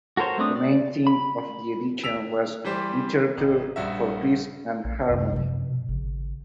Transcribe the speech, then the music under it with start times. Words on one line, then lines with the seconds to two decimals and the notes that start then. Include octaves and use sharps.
The main theme of the edition was "Literature for Peace and Harmony".
0.17 F#4 A4 A#4 C5 C#5
0.38 A3 C4 D4 D#6
0.56 D5
1.07 B5
2.04 E6 B6 D7 F7
2.64 E3 G3 G4 C5
3.38 A1
3.76 A#1 G2 F#4 E5
4.84 A#1
5.09 C2 F#2 D#3
5.32 C3 F3
5.69 B2
5.89 G#1 C#3